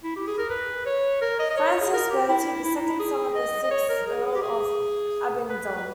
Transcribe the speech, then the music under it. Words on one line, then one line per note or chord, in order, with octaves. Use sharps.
Francis Bertie, the second son of the sixth Earl of Abingdon.
E4
G4
G#4
A#4
B4
C#5
A#4
D#5
D#5
C#5
G#4
A#4
G4
E4
E4
D#4
E4
G#4
D#5
D#5
C#5
A#4
G#4
G4
G#4
B4
B4